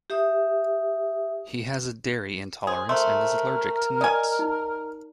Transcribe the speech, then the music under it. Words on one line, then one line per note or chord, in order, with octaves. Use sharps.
He has a dairy intolerance and is allergic to nuts.
G4 E5 D#6
G#4 C5
A3 A#4 C5 C6
D5 D#5 G#5
D#4